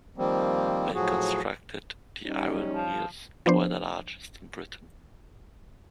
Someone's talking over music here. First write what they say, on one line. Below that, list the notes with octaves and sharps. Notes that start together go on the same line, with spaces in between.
When constructed, the iron wheels were the largest in Britain.
D#3 F3 G3 A#3 C4
A2 F3 F#3 F#4 G#4
G3 C#4 D#4
F3
F3 B3 D4 C5